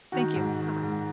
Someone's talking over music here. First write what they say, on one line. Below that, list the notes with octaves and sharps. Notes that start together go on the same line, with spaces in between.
Thank you. Bye-bye.
D#3 F#4
G#2
D#3
G#2